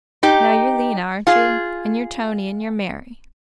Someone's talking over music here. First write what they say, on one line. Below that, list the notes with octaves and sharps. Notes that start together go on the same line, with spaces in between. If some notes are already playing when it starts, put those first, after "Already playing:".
Now, you're Lena, are you?--and you're Tony and you're Mary.
D#4 G4
F4 G#4